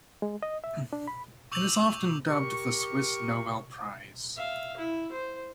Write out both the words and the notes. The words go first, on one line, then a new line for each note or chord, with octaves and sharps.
It is often dubbed the Swiss Nobel Prize.
G#3
D#5
E5
D4
B5
C#6 D6 E6 G6 F7 F#7
G4 A#4 C#6
E5 F5
E4
C5